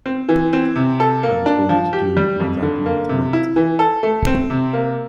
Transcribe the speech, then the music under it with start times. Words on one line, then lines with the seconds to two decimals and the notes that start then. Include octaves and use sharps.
I was going to do my wrapping tonight.
0.06 C4
0.29 E3
0.53 C4
0.76 C3
1.00 A4
1.23 A#3
1.46 D4
1.69 F3
1.93 G4
2.17 G3
2.40 F2
2.63 D3
2.86 A#3
3.09 C3
3.33 E4
3.56 E3
3.79 A4
4.03 A3
4.27 C4
4.50 C3
4.73 A#3